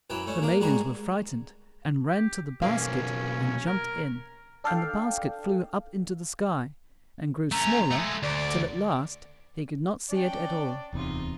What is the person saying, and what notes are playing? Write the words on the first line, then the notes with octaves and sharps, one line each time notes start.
The maidens were frightened, and ran to the basket and jumped in, and the basket flew up into the sky, and grew smaller till at last he could not see it at all.
F#2 E3 F#3 G5
A3 C#4 D4
A#3 D4 A#4
G#2 G3 F#4 G#4 A#4 C6
G4
B1 A#3 C#4 F5
A#4
D4 A4 D5 F5 G5
A3 C#4 A#5
G#3 A3
D2 D5
C#4 D4 D5 G5
D1 E2 C3 D#4 F4